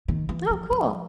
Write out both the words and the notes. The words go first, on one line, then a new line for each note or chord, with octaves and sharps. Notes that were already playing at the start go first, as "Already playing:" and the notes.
Oh, cool.
D#3
E3
F3
F3